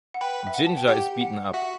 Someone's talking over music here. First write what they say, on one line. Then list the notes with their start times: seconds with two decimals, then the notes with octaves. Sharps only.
Ginger is beaten up.
0.14 F#5
0.21 B4 G5
0.47 E5
0.54 F#5
0.66 A5
0.77 G5
0.87 G4 F#5
1.21 F#5
1.54 F#4 E5